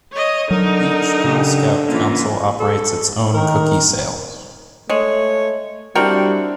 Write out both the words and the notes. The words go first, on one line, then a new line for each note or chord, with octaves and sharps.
Each Girl Scout council operates its own cookie sale.
C#5 D#5
D3 F#3 D#4 A#4
C#3 G4
E3 A#3 C#4 F4
A4
D#3 A#4
G#3 A3 C#5
G3 C4 D4 E4 F#4 A#4 G5